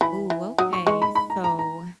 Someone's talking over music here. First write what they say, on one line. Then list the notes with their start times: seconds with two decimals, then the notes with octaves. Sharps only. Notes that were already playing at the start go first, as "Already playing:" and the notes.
Ooh, okay. So
0.01 E3 B5
0.30 E3
0.58 F#3 D#6
0.73 C#6
0.87 G#3 C#6
1.02 B5
1.15 B5
1.30 A#5
1.44 A#5
1.59 A#5